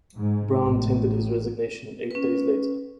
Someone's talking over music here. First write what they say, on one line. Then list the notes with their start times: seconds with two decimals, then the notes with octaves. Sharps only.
Brown tendered his resignation eight days later.
0.18 G#2
0.61 A1
2.11 C#4 B4